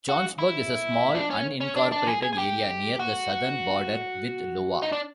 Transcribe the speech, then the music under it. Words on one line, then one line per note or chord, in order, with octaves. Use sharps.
Johnsburg is a small unincorporated area near the southern border with Iowa.
F#4
E4
D4
C#4
C#4
D4
D4
G#4
G#4
G#4
G4
F#4
D#4
D4